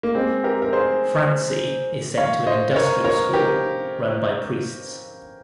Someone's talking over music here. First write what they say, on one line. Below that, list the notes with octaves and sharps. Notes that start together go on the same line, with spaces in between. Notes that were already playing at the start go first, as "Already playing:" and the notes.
Francie is sent to an 'industrial school' run by priests.
A#3
G#3 C4
G4 A#4
A#4
G#4 C5
C#5 F5
C5 D#5
A#4 C#5
A#4 C#5
G4 A#4